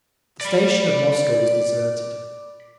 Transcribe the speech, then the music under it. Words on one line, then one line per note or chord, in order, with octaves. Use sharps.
The station at Moscow was deserted.
D5 B5